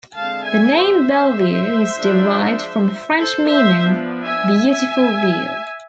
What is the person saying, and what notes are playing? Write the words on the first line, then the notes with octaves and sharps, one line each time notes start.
The name Belview is derived from French meaning "beautiful view".
D3 G#3 C4 F5 A5
E5 G#5
C5 E5
F3 G#3 D4
A4 C5
C5 E5
F3 B3 D4
E5 G#5
E5 G#5